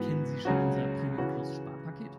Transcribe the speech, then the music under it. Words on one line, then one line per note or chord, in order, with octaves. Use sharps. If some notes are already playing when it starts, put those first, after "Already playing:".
Kennen Sie schon unser Premium-Plus-Sparpaket?
Already playing: G#2 E3 B3 F#4
C#2 C#3 F#3 C#4 F#4
C#3 E3 C#4 F#4